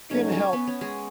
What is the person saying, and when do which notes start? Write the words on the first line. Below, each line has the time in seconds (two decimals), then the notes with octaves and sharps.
can help.
0.11 F#2 C#3 F#3 A3 C#4 D#4
0.32 C#4
0.53 B3
0.67 C#4
0.81 G#3